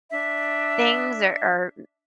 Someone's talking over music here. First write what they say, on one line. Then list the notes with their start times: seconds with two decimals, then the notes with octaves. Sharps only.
things or or,
0.11 D4 E5